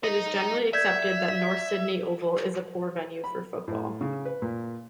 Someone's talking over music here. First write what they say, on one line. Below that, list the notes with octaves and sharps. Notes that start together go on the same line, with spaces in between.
It is generally accepted that North Sydney Oval is a poor venue for football.
D#4 D#5
D5 E5 G6 G#6
B5
A2
C#3
B4
A#2